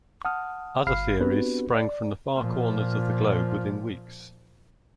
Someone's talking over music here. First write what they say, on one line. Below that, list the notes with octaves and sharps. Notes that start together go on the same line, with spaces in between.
Other theories sprang from the far corners of the globe within weeks.
F#5 A5 D#6 F6
G1 F5 B5 F6 C7
B3 C4 D4 F#4 G4 B4
D5
A#2 F3